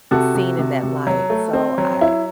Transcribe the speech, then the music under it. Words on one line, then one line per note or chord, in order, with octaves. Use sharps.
seen in that light, so I
C3 F#4 A4
C3
C3
C3
F#3
A3
C4
F#3
E4